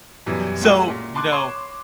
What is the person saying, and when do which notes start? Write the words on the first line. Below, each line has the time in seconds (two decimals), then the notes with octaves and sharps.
so, you know,
0.26 F#2 B2 E3 G3
0.62 G#3 A3 C#4 E4 F#4 G4
0.88 A#2
1.15 A5 C6 D6 F#6
1.31 C#5 C6 E7